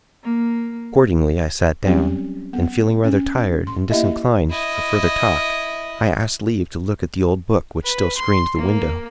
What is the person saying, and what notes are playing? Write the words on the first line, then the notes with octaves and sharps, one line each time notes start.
Accordingly I sat down, and feeling rather tired, and disinclined for further talk, I asked leave to look at the old book which still screened the window.
A#3
F#3 G3 C4 C#4 G4
B3
C#4
C6
A#3 E4 G4 D#5 E5
E4 D#5
B4
C6
A#3